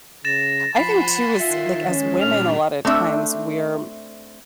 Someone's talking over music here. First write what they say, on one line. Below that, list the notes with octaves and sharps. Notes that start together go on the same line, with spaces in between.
I think too as like, as women, a lot of times we're
C#3 A6 A#6 E7
F3 F#5 G#5 B5 C6 A6 B6 C7
D#3 F4 E5
G#3 C#4
A#2 G3 D4 F6 F7
A3 C4 D4 E5